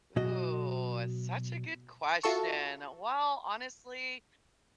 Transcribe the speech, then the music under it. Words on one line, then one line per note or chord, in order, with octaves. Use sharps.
Ooh, such a good question. Well, honestly,
B2 F#3 F#4 D#5
F4 F#4 A4 E5 A5 C#6